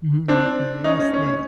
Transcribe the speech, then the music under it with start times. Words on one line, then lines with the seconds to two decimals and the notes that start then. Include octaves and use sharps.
Mhm, okay, what's that?
0.28 C4 D4
0.84 C#4 D#4
0.99 C#4
1.14 C#4
1.26 C#4